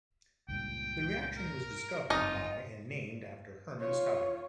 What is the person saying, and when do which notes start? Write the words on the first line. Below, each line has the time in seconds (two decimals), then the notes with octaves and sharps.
The reaction was discovered by and named after Hermann Staudinger.
0.48 C#2 G2 A#2 G5
1.37 A#4
2.10 F#1 C4 D#4 F4 D#5
3.80 F4 C#5